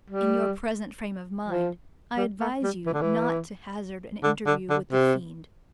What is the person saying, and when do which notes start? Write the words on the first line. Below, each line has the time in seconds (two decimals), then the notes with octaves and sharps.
In your present frame of mind I advise you not to hazard an interview with the fiend.
0.10 G3
1.48 F3
2.17 G3
2.40 A3
2.63 G3
2.86 E3
2.94 D3
3.02 E3
4.23 D3
4.47 D3
4.70 D3
4.92 C3